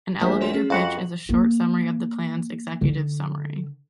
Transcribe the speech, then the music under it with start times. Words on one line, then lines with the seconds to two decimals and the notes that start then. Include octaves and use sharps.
An "elevator pitch" is a short summary of the plan's executive summary.
0.22 A#1 A3 C5 B6
0.41 F#4 C#5 C6
0.54 C#4 G#4
0.70 F2 F#4 F5 F#5 B5 C6
0.85 F#7
1.29 A#3
2.81 D3